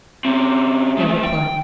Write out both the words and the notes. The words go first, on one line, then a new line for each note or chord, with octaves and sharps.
No reply.
C#3 C4
G#3 A3
G5